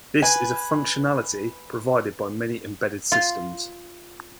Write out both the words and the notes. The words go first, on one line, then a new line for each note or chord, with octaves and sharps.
This is a functionality provided by many embedded systems.
B4 G#5
F4